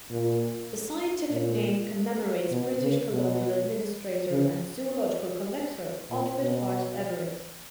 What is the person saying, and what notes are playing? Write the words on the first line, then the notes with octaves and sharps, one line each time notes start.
The scientific name commemorates British colonial administrator and zoological collector Alfred Hart Everett.
A#2
A#2
B2
C#3
B2
C#3
A#2
B2